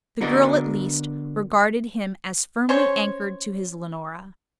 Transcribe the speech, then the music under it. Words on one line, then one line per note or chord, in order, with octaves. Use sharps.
The girl, at least, regarded him as firmly anchored to his Leonora.
D3 B3 F#4 A#4 D5 D#5
C#4 C5 C#5